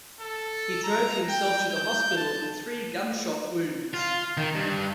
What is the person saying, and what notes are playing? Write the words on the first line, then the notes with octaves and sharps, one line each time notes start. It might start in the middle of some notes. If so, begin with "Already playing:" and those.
He drove himself to the hospital with three gunshot wounds.
A4
A#5
G5
G6
A5
F4
D#3
G2